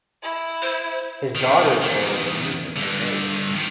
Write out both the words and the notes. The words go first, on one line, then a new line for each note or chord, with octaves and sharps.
his daughter's old and he's the same age.
E4
C5
C3 D#3
E2 D#3
G2 D3
D#3 F3